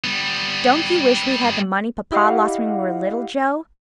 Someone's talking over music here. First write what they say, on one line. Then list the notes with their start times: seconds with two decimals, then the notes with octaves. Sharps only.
Don't you wish we had the money Papa lost when we were little, Jo?
0.04 G3 B3
2.12 E4 G4 D#5 F5 F#5